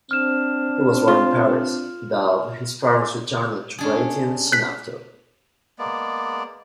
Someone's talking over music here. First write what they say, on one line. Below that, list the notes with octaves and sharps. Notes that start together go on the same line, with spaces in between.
He was born in Paris, though his parents returned to Britain soon after.
C4 D4 F6 E7
F4
C#4 D4 G#4
F#6 B6
G#3 A#3 B3 D5